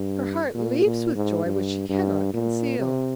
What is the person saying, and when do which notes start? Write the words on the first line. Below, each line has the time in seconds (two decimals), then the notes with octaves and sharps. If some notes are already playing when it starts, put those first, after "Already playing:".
Her heart leaps with joy which she cannot conceal.
Already playing: G2
0.54 A#2
0.85 A#2
1.15 G#2
1.45 G2
1.89 G2
2.34 A#2
2.78 C3